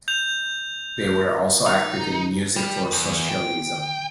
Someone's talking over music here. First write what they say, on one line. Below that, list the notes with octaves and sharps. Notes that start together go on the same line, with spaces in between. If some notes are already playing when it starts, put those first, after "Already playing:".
They were also active in Music For Socialism.
G6 F7
D#4
G3
E2
G5